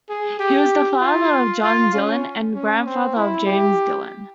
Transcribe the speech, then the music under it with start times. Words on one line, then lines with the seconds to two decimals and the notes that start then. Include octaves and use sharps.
He was the father of John Dillon, and grandfather of James Dillon.
0.09 G#4
0.39 G4
1.01 F4
1.63 F4
1.94 C#4
2.54 C#4
2.86 C4
3.16 E4
3.46 G4